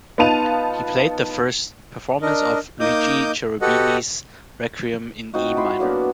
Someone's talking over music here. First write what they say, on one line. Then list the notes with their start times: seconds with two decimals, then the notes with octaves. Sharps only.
He played the first performance of Luigi Cherubini's "Requiem" in E minor.
0.18 B3 D#4 F4 A5 D#7 F7
2.22 D4 A#4 D#5
2.80 A#3 D#4 D#5 D6 D#6 G6
3.61 F#4 G4 A4 B4 D#5 F#5
5.34 C4 D#4 F4 F#4
5.56 E4 B5 C6
5.79 F#3 A#3 B3 D4